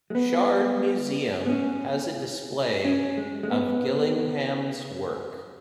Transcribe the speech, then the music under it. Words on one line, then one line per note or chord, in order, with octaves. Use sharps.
Chard Museum has a display of Gillingham's work.
G#3
B3
B3
C#4
C#4
G#3
G#3
B3